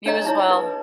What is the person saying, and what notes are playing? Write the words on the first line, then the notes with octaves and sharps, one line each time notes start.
You as well.
D4 C#5 D#5 A#5
D#4 E4 C#5
B4